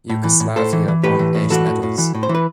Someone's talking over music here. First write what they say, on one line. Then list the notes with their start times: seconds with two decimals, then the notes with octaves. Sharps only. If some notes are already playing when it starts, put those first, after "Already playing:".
Yugoslavia won eight medals.
0.10 A2
0.24 E3
0.40 A2
0.56 A2 A4 C5
0.73 E3
0.88 E3
1.03 A2 G4 B4
1.19 E3
1.35 A2
1.50 E3 F#4 A4
1.66 A2
1.83 A2
1.98 E3
2.15 A2
2.23 C5
2.29 E3
2.35 B4